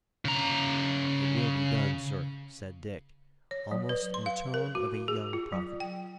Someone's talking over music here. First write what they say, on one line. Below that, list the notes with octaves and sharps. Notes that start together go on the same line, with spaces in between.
"It will be done, sir," said Dick, almost in the tone of a young prophet.
C#3 A#5
C#5
F#3
B4
C6
F5
A#4
F#4
G#4
F4
F#3
G5